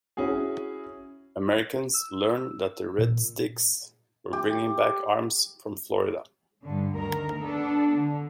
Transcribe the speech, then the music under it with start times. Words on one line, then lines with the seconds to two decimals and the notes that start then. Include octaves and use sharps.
Americans learned that the Red Sticks were bringing back arms from Florida.
0.17 C#4 E4 F#4 G#4
1.94 E6
2.98 A#2
4.33 G4
6.63 G2 D3
6.94 D2 D#3 A#4
7.43 B3 D4 A4
7.95 D3